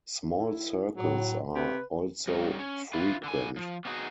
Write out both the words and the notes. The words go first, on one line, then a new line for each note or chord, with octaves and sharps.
Small circles are also frequent.
E4
A2 F#3
C3 B4
G3 C#4 A#4
C#4
E4 F4 B4
D3 G#5
F3
B3 C#4 D#4 E4 F#4 G#4